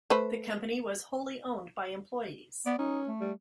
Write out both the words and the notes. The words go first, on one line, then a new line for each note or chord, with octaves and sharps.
The company was wholly owned by employees.
A3 B4 C5
B3 D5
C#4 D#4
A3
G3